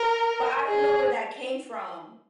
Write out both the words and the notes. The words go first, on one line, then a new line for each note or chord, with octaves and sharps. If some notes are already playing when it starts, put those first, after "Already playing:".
But, I don't know where that came from.
Already playing: A#4
G#4